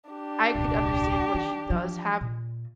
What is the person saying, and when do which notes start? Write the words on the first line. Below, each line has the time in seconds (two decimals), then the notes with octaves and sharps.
I could understand why she does have
0.10 D4 G4
0.55 D#1 C2
1.35 D#3
1.70 E3 F3
2.21 A#2